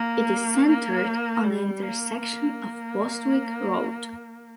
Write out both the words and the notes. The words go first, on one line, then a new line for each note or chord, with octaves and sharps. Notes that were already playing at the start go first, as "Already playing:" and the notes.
It is centered on the intersection of Bostwick Rd.
Already playing: A#3
A#3
G3
A#3
A#3